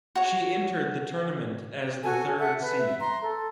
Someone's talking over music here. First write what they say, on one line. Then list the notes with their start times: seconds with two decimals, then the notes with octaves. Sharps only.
She entered the tournament as the third seed.
0.15 F#4 C#5
2.03 F#4 A4 G#5
2.38 A4 E5 F#5
2.60 B4
2.78 E5
3.01 A#5 C6
3.20 A4